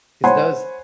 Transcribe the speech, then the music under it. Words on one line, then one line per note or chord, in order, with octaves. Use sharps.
'Cause those
C5 C#5 F#5 G#5 B5 C6